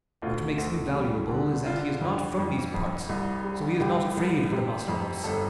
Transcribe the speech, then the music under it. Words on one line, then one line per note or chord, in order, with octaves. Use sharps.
What makes him valuable is that he is not from these parts, so he is not afraid of the Maslovs.
D2 F4
D2
G3
D3
D3 F4
F2
F2
F2
C2
G3
C2 G4
C2
C3
F2
G1 A4